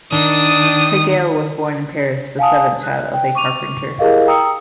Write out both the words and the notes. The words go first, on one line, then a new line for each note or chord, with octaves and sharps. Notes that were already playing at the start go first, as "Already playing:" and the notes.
Pigalle was born in Paris, the seventh child of a carpenter.
D#3 D4 D#6
F5 G#5 A5 D#6
F#6
G5
C#6 D6 D#7 F7
E4 G4 G#4 A#4 D#5 F5
G5 A#5 D#6 E6 C#7